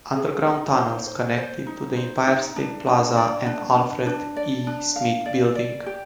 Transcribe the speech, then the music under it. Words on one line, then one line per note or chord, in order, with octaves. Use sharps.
Underground tunnels connect it to the Empire State Plaza and Alfred E. Smith Building.
G#4
D#4
C5
C5
C5
D#4
C5
D#4
D4
D4
D5
D4
D4
D4
D5
D4
F5
D5
D5
G4